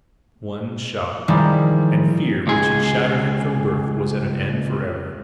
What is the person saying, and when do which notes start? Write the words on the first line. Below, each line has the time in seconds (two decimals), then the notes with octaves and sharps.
One shot!--and fear, which had shadowed him from birth, was at an end forever.
1.28 D#3 F3 G3 G#3 E4
2.47 C#2 G#4